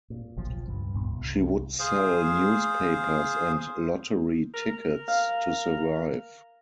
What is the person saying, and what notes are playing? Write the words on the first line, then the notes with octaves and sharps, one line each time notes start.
She would sell newspapers and lottery tickets to survive.
A#2
F#1 B1 F3
C#2 G2
C#2 G2 A#2 B3
C2
G#4 C5 F5
A#4
F5